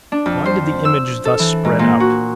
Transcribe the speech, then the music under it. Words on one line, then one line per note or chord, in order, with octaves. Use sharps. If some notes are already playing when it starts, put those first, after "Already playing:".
Why did the image thus spread out?
D4
F2
C5
E6
A4
E3
G#2
A#2
F#4